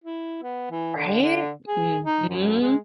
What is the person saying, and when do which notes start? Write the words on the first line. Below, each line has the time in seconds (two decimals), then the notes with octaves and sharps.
Right? Mhm.
0.04 E4
0.43 B3
0.71 E3
0.95 D3
1.21 D3
1.67 G#4
2.04 D#4
2.28 F#2
2.60 G#3